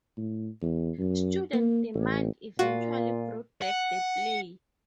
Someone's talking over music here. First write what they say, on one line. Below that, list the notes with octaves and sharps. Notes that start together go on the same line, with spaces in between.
Student demand eventually brought back the play.
A2
E2
F#2
A#3
A1
A#2 F4 F#4
F#5